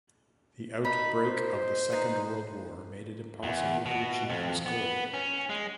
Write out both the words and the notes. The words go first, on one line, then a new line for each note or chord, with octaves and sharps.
The outbreak of the Second World War made it impossible to achieve this goal.
D#4 B5
C5
D#4 B4
E2
B2
F2
B3
C#4
G#3